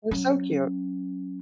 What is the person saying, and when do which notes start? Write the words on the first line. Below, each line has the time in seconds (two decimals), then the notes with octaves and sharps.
They're so cute.
0.11 F#3 C#4